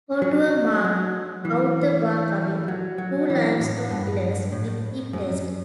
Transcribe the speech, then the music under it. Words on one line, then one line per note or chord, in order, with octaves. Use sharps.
Hoturoa marked out the waka with two limestone pillars which he blessed.
F#3
F#3
E3
F#3
F#3
E3
A2
G2
A2
F#2